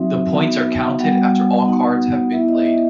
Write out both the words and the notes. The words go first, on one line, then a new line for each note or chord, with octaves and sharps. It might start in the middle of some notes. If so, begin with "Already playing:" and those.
The points are counted after all cards have been played.
Already playing: F#3 C4 D#4 F#4 E5
B3 D#4 F#4
G3 B3 F#4 F#5
B3 D#4 F#4
B3 E4 E5
D#5
E5